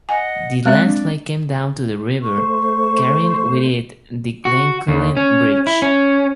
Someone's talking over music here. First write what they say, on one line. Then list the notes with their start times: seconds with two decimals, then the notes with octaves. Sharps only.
The landslide came down the river carrying with it the Glencullen Bridge.
0.09 D#5 F#5 G#5
0.66 G#3 C4 D5 E5 F#6
0.87 D4
2.22 C#6
2.38 A3 C5
4.45 F#4
4.88 D#2
5.17 C#4
5.67 E4
5.82 C#4